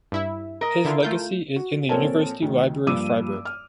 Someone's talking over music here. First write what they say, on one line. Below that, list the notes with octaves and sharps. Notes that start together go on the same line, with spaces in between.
His legacy is in the University Library Freiburg.
G2 E4 E5
A#4 D#5
D3 E4 F4
A3 F4 G6
F#4
A#1 C4 A4 A#4 C#5 A5
D2 D#3
G2 F3 A#3 D6 E6 D#7
F6